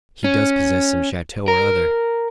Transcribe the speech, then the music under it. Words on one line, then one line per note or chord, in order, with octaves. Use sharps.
He does possess some chateau or other.
C#4
A#4